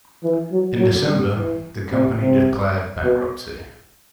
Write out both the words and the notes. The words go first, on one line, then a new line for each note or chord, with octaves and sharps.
In December, the company declared bankruptcy.
E3
F#3
F#3
G3
E3
C3
C3
B2